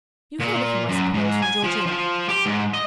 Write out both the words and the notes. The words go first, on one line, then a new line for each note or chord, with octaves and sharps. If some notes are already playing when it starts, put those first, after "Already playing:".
You heard of him, I suppose, from Georgina.
A#2
F#2
G#2
G#5
F3
F3
G4
G#2
D#5